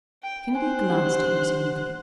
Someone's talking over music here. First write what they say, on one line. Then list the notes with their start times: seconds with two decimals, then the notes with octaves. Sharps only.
Kennedy glanced at me significantly.
0.23 G5
0.55 C5 G#5 F#6
0.90 D4 G4 F#5